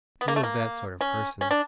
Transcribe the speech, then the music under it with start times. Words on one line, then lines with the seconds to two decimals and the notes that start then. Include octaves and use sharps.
He was that sort of person.
0.21 B3
0.28 A#3
0.36 A3
0.43 A#3
1.01 C#4
1.41 C#4
1.51 D4